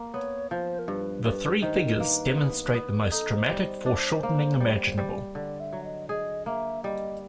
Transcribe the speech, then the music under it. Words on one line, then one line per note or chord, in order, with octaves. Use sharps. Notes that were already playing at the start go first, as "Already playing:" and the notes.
The three figures demonstrate the most dramatic foreshortening imaginable.
Already playing: A#3
B3 C#5
F3 C5
A#4
G2 B4
G2 B4
D#3 C5
B4
A#4
A#3 B4
B3
B3
A#4
D#4 A4
C5
G3
C5
D4
A#3
G3
G3
D3 D5
E5
F#3
D#5
G#4 D#5
A#3 E5
G3 D#5